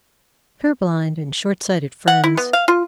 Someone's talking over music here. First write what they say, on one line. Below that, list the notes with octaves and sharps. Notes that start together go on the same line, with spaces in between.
Purblind and short-sighted friends!
F#5
E4
B3
F5
F4